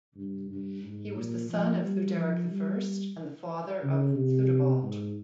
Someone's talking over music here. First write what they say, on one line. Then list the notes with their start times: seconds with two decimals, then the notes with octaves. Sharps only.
He was the son of Theuderic I and the father of Theudebald.
0.16 G2
0.50 G2
0.83 G#2
1.16 A#2
1.50 F3
1.82 G3
2.16 F3
2.49 G3
3.83 C#3
4.15 C3
4.83 G#2